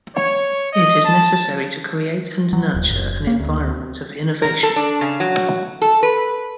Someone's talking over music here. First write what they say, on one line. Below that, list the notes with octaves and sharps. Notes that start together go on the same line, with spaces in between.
It is necessary to create and nurture an environment of innovation.
C#5
D#5
A5
F#3
D#1
F#1
A#3
D2
A#4
A4
D4
C#3
F#3
A4
B4